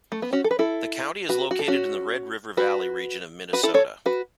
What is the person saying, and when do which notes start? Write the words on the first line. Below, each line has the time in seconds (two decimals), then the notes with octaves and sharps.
The county is located in the Red River Valley region of Minnesota.
0.12 A3
0.22 B3
0.33 C#4 F#4
0.44 A4
0.51 B4
0.59 E4 A4
1.29 F#4 B4
1.51 F#4
1.59 A4
1.68 C#4 F#4
2.57 F#4 B4
3.53 F#4 B4
3.63 E4 A4
3.74 A4 C#5
4.06 F#4 B4